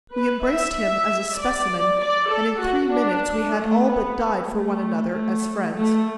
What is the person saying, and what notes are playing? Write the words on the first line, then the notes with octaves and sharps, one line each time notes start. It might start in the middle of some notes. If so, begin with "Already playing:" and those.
We embraced him as a specimen, and in three minutes we had all but died for one another as friends.
B4
E5
D5
D5
A4
F#4
D4
A3
B3
A3
A3
A3